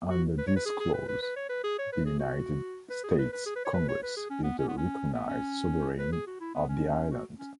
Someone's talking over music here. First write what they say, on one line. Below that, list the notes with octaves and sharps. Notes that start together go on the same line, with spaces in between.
Under this clause, the United States Congress is the recognized sovereign of the island.
F#4
B4
C#5
B4
G#4
G#4
B4
B4
B4
C#5
B4
G#4
C#5
B4
G#4
F#4
B4
G#4
B4
B4
G#4
B4
C#5
B4
C#5
B4
G#4
C#4
B3
C#4
B3
C#4
B3
C#4
B4
G#4
F#4
E4
B3
C#4
F#4
C#4